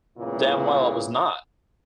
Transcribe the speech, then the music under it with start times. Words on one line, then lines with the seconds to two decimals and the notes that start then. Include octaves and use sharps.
damn well I was not.
0.18 E2 A#2 C#3 G#3 B3 E4